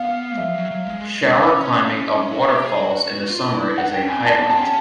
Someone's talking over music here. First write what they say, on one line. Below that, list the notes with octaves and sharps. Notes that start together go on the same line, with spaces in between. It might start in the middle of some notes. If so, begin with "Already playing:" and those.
Shower climbing of waterfalls in the summer is a highlight.
Already playing: B3 F5
F3 E5
F#3
F#3
G#3
C#4 F5
F#4 E5
G4
G#4
F#4
F4
E4
D#4 F#5
D4 G5
C#4
G#5
C4
A#3 A5
B3
C4 A5
C#4